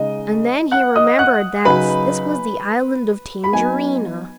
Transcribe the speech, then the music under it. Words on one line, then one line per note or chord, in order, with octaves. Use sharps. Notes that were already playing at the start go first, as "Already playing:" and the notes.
And then he remembered that this was the Island of Tangerina.
Already playing: C#3 G#3 D#4 D#5
F#5 F#6
D#5 D#6
F#5 F#6
C#3 F#3 D#4 B4 B5
B5
F#3 B3 D#4 G#5